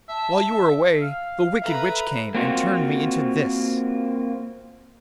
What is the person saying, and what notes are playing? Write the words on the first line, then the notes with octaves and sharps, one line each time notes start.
While you were away the wicked witch came, and turned me into this.
E5 A5
F5
A4 B4 E5 A#5 B5
A#3 C4 F4 F#4